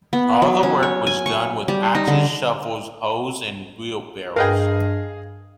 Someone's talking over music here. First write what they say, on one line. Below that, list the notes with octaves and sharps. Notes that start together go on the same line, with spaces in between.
All of the work was done with axes, shovels, hoes and wheelbarrows.
B3
F#3
C#4
C#5
G#5
C#6
G3
D#4
D3
G2 G#4 A#4 B4 D#5 F5 G5